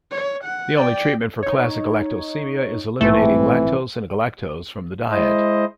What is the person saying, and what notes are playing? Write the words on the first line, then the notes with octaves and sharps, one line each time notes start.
The only treatment for classic galactosemia is eliminating lactose and galactose from the diet.
C#5
F#5
D5 G5
D#4 C#5
A#1 G#2 E3 A3 C4
G#3 E4 C5 D#5